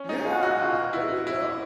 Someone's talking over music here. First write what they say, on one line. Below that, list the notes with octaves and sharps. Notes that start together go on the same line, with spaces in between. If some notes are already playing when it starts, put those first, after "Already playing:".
Yeah, there you go.
Already playing: C#4
D#4
F4
F#4
F4
E4
E4